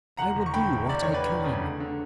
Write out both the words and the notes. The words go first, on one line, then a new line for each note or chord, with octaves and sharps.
I will do what I can.
E1 F#5 A#5
E1
C#6
D2 G5 B5
E1
E1 D5
E1 C#5
B4 D5
E1
C#3
D3
D3